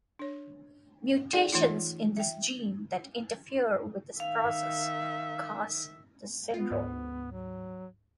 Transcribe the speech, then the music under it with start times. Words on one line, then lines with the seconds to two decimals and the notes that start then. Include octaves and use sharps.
Mutations in this gene that interfere with this process cause this syndrome.
0.19 D4 C#5
1.33 D#4 G#4 A4 D5 F#5 G5
1.52 E3 A3 D#4 F4
2.17 E5 G5
4.20 D#3 E5 F5
6.54 B3 F4
6.70 D2 G#2
7.31 F#3